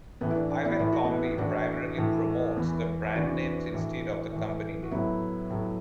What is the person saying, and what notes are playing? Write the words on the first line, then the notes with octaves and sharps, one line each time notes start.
Ivan Combe primarily promotes the brand names instead of the company name.
A2 E3 B3
E4
D4
D4
B3 E4
A2 E3 E4
F#4
B3 E4
A2 E3 D4 F#4
A2 E3
E2 E3 B3
E2 E3 D4 F#4
A2 E3
A2 E3
F#4
A2 F#3 B3 E4
A2 F#3